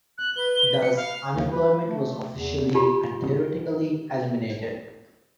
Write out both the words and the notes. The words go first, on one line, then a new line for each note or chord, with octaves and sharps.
Thus unemployment was officially and theoretically eliminated.
F#6
B4 G7
C#7
F5
D#2
B4
A3
E2
D#4 F4 G4 B5